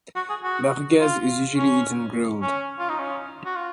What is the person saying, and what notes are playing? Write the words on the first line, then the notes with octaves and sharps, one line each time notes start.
Merguez is usually eaten grilled.
F#4
G#4
F#4
F4
C#4
C#4
F4
D#4
C#4
F#4
F4